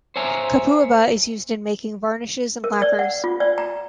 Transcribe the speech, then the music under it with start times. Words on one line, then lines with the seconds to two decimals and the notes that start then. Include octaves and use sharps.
Copaiba is used in making varnishes and lacquers.
0.16 C5 C#5 E5 G#5 A#5
2.64 A#4
2.82 D5
2.99 F#5
3.24 F4
3.40 D5
3.58 A#5